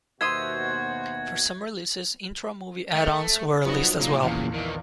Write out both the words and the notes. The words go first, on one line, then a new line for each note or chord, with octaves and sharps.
For some releases, intro movie add-ons were released as well.
D#2 B2 F#4 C5 E5 C6 D#6 G#6
A3
F3 F#3 B3 D#4 F#4
A#2 A#3
A#1 E2 A#2 C#3 F5
D#3 E3